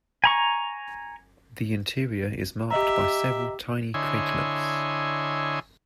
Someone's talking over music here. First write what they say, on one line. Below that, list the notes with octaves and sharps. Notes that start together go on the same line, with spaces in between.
The interior is marked by several tiny craterlets.
G#5 A#5 C#6
G4 D#5 E5 A#5
D3 E4 C#5 D#5 G#5 C6